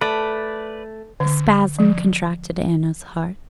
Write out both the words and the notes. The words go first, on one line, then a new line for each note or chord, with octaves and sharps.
A spasm contracted Anna's heart.
A3 B4 D5
D3
F3